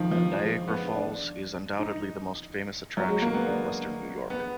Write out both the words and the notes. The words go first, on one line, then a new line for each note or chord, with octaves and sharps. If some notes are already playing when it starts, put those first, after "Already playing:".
Niagara Falls is undoubtedly the most famous attraction in Western New York.
Already playing: D#3 F3
F3
G#3
B3
D4
D#4
F#3
G#3
A#3
B3
D4
B3